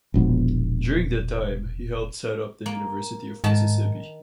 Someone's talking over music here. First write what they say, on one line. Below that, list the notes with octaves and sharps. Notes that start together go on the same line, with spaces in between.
During that time, he helped set up the University of Mississippi.
E1 A#1 B3
A#3
G#2 D#3 A5